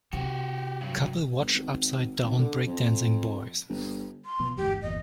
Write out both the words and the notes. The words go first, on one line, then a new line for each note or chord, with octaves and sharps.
Couple watch upside down breakdancing boys.
C3 F#4 G4
G2 F#3
G1
G#1
G#1
D3
F2
G1
C6
B2 F3 B3
G1 E2 G#2 G4
G1 E2 A#2 D#5